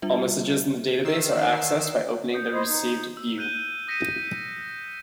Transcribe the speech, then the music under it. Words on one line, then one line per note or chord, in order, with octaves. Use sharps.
All messages in the database are accessed by opening the "Received" view.
G3 D4 F4 E5
D#3 E6 C7
D#6 G6 C#7
B4 C5 D#5 D#6 G#6 C7
D#4
E6
F#6 G6 D#7 G7
D#6 A#6 B6 C#7 D#7 E7